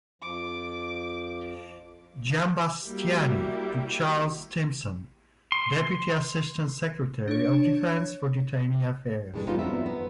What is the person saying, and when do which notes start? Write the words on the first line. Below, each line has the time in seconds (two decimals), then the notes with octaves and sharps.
Giambastiani, to Charles Stimson, Deputy Assistant Secretary of Defense for Detainee Affairs.
0.22 F2 F3 D6
2.82 G3 A#3 E4 F#4 G4
5.52 C6
7.28 D4 C#5
9.34 G2 E3 G#3 A3 D4
9.47 G3 B3 C#4 D#4 F4
9.59 F#3 B3 C4 D5 E5
9.86 B3